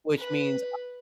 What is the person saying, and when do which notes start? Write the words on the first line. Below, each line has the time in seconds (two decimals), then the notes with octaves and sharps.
Which means,
0.18 B4